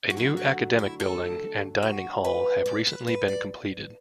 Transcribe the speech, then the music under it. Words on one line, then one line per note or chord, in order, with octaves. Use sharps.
A new academic building and dining hall have recently been completed.
F#4
D3 F#3 A3 E4
F#4
E4
A4
F#4
B4
D5
B4
B4
D5